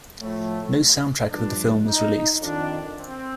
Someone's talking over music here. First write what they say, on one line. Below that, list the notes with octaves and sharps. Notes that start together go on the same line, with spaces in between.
No soundtrack of the film was released.
A2 F3 A3
G2 F3 D4
D#4
F2 D#3 D4
C4